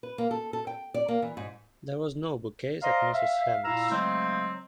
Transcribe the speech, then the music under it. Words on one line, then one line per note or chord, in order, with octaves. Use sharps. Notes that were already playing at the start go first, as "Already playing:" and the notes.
There was no bookcase at Mrs. Hammond’s.
B4
A#3
A4
A4
G5
D5
A#3
E3
G#2
C5 D5 D#5 F5 A#5 C6
E5 F5
A#2 E4 F5 A#5 E6
C#3 F#3 G#3 A3 C4